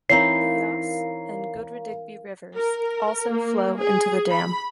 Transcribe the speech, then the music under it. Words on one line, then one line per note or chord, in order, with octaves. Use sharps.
The Yass and Goodradigbee rivers also flow into the dam.
E3 C4 D#4 A#4 C#5 F5 A#5 C7
A#4
A#3
G#4
B5